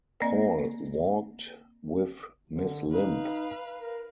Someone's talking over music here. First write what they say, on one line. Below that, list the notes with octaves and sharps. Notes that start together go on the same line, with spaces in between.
Paul walked with Miss Limb.
A#3 C4 D5 D#5
D3
D#4 B4 F5
A#4